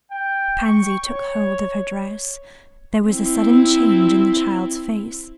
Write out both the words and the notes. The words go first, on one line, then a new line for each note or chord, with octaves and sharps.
Pansy took hold of her dress; there was a sudden change in the child's face.
G5
C#6
C#5
C4 E4